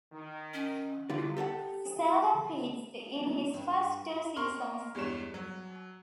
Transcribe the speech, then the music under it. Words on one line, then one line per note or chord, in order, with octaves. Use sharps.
He seldom pitched in his first two seasons.
D#3
C#4
D3 G3 E4 F4
G4 A4 C#5 F#5
G2
A#4 C6 C#6 F6
E2 G2 G#3 C#5 E7
F#3